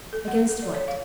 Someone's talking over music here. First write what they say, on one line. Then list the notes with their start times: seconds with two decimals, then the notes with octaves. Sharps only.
"Against what?"
0.13 A4
0.28 F#5
0.49 A4
0.62 D5
0.75 C#5
0.88 F5